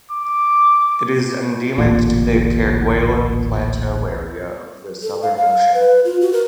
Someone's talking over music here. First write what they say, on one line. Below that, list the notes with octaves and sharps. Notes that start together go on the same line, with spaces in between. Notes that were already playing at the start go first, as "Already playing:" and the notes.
It is endemic to the Kerguelen Plateau area of the Southern Ocean.
D6
D1 A1 A#2
A4
F5
F5
B4
F4
F#4
A#4